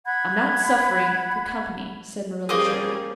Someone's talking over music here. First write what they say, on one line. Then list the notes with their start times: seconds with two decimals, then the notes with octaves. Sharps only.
"I'm not suffering for company," said Marilla shortly.
0.05 F#5 B5 G#6
2.49 G3 A#3 C#4 G#4 C5 D#6